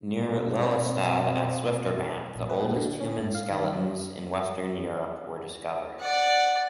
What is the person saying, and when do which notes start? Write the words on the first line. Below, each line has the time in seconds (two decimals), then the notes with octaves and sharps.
Near Lelystad at Swifterbant, the oldest human skeletons in Western Europe were discovered.
0.16 B2 C4
2.36 A#1
2.50 B4
2.64 A#2
2.76 D3
3.00 C#4
3.19 G#2
3.35 F5
3.51 D#3
3.73 F#3
6.00 D5 F#5